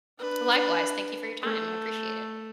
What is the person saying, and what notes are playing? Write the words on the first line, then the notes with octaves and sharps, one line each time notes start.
Likewise, thank you for your time, I appreciate it.
D4 B4
A3